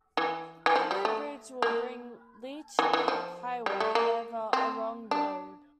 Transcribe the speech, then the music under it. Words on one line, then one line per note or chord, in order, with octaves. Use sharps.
The new bridge will bring Leach Highway over Orrong Road.
E3
E3
F3
G3
A3
A#3
E3
E3
F3
G3
A3
A#3
C4
D4